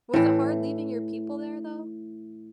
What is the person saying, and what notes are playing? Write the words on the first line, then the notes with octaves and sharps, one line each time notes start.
Was it hard leaving your people there, though?
A2 E3